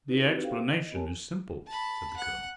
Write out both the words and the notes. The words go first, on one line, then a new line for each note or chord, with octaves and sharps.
"The explanation is simple," said the colonel.
C4 D#4 E4 F#4 G4 B4
G4 A4 C5 E5 F5 G5
C5
D#5
B3 G4 A#4 C#5 G#5 A5
A5 B5
F#5